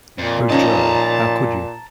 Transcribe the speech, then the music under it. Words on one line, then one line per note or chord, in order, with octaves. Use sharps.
O Jo, how could you?
F2 A#2
F3 C#4 D#4 A5 A#5